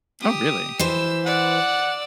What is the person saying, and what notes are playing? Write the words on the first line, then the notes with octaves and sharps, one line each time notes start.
Oh, really?
G4 D#6
E3 B4 C5 E6
D5 F#5 E6